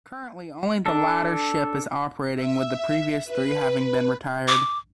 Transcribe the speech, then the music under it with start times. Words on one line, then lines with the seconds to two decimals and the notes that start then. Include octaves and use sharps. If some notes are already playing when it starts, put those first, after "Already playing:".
Currently only the latter ship is operating, with the previous three having been retired.
0.86 D4 A4
2.34 E5
3.25 B4
4.48 D6